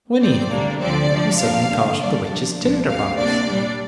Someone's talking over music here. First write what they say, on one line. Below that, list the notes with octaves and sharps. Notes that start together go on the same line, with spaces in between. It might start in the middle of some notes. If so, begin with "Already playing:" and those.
One evening he suddenly thought of the witch's tinder-box.
F2 F3 C4 D5
D2 C3 G3 A#3 D4
D2 D3 F3 C4 D5
C3 F3 D4
F2 C3 F3 A#3 D4 F5
F2 D3 G3 D4
C3 G3 A#3 D4 D5
A#2 F3 D4
C2 A#2 F3 D4
D2 C3 G3 F5
C3 A#3 D4 D5
A#2 G3 D4